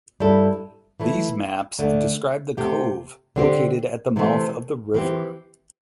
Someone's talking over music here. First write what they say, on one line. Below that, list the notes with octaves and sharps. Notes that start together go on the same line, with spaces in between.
These maps describe the cove located at the mouth of the river.
G2 G3 E4 A4
E3 A3 E4
D2 D3 A3
C3 A3 C4 G4
D3 C4 G4
C3 E3 A3 C4
E3 C4 G4